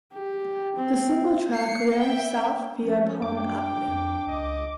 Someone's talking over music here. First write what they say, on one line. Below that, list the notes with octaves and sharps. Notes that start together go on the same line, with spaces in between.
The single track ran south via Palm Avenue.
G4
C4
C7 C#7
E5 G5
F3 C#4
F#2 D4 G5 D6
F2
C#2 D#5